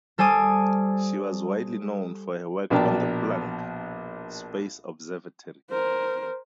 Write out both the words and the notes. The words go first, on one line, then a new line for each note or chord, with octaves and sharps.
She was widely known for her work on the "Planck" space observatory.
G3 A4 C5 G#5 D6 D#6
A#1 B2 D4 A#4 G5 A5
A#4 C5